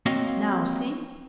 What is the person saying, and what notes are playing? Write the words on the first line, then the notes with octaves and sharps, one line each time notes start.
Now, see!
A#3 C4 F#4 C#5 D#5 F5